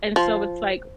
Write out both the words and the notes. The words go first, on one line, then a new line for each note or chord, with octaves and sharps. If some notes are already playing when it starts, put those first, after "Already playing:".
and so it's like,
F3